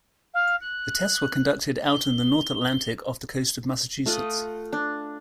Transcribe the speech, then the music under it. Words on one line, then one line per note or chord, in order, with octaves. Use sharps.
The tests were conducted out in the North Atlantic off the coast of Massachusetts.
F5
F#6
G7
A3 F4 D#5 F#5
D4